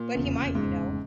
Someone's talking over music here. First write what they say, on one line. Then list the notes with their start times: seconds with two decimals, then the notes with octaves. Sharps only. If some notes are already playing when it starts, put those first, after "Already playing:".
But he might, you know.
Already playing: A#2
0.15 F1 E2 C#3
0.55 G#2